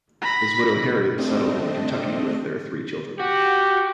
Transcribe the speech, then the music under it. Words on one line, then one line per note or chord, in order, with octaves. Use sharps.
His widow Harriet settled in Kentucky with their three children.
B5 A#6
A3 C4 D4 D#5
F#4 G4